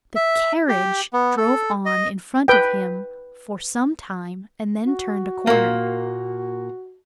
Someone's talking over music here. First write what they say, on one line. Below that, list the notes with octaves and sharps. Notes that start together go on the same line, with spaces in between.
The carriage drove on in front of him for some time and then turned a corner.
E5
G4
B3
A4
D#5
B4 G5
F#4
A#2 A#3